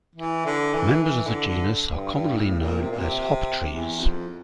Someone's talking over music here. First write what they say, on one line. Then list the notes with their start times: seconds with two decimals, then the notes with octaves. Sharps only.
Members of the genus are commonly known as hoptrees.
0.15 E3
0.45 D3
0.74 E3
1.03 E3
1.26 D3
1.48 D3
1.92 G2
2.15 G2
2.37 A2
2.59 A#2
2.82 C3
2.91 A#2
2.99 C3
3.70 E2
3.99 F2